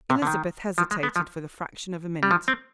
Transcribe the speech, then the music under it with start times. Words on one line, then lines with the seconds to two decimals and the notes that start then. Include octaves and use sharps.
Elizabeth hesitated for the fraction of a minute.
0.10 C3
0.22 D3
0.27 D#3
0.78 F3
0.91 G#3
1.03 B3
1.16 F3
2.23 G3
2.31 F3
2.48 C4